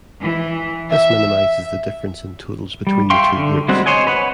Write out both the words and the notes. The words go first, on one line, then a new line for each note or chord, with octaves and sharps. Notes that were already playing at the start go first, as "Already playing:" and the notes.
This minimizes the difference in totals between the two groups.
E3
E5
G3
E5 F5 G5 C6 C#6
D3
G3 G#3 C4 F#4
C5 C#5 D#5 G#5
B4 C#5 F#5